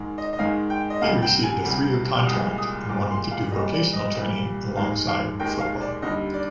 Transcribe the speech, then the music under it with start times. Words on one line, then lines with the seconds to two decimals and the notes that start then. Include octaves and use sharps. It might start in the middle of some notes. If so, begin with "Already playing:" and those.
He received a three year contract and wanted to do vocational training alongside football.
Already playing: G#2 D#3 G#3
0.18 D#5
0.33 D#5
0.39 G#2 D#3 G#3 F5
0.70 G5
0.90 D#5
1.01 D2 C3 G3 F5
1.22 G5
1.43 G#5
1.64 D2 C3 G3
2.15 F6
2.26 C2 A#2 G#3 D#6
2.58 D#6
2.89 C2 A#2 G#3 D6
3.10 C6
3.31 F5
3.52 C2 A#2 G3 D#5
3.73 D5
3.93 D#5
4.14 C2 A#2 G3
4.77 D#2 D#3 G#3 F5
5.08 F5
5.40 D#2 D#3 G#3 G5
5.60 F5
5.81 D5
6.02 D#2 D3 G3 D#5
6.34 D5